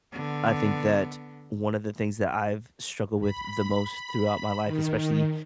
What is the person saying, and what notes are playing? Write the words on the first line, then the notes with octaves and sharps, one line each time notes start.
I think that one of the things that I've struggled with the most throughout my life, especially
D3 B3
B5
D#3